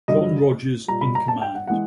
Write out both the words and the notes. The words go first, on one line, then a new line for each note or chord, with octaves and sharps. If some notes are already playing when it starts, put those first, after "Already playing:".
John Rodgers in command.
G2 D3 F#3 D#5
A#2 G3 A#5
B5
A#5
A5
G5
F#5
E3 G#3 F#5